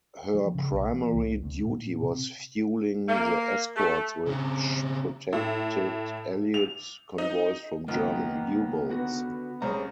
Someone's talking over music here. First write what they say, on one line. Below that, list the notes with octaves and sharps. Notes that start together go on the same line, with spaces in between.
Her primary duty was fueling the escorts which protected Allied convoys from German U-boats.
F3
C#3
B1
E3
C2
D2
A#2
C3
A#3
A3
C#3 C4
A2
F7
D#4
C#2 D#3 A#3 B3 D#4 F4 G5
D3 B3 F#4
C2 C#4 G#4 C5 A#5 D#6